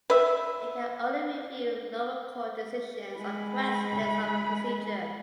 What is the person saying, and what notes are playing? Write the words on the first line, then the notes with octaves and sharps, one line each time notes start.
It can only review lower court decisions on questions of procedure.
B4 E5
G#3 B5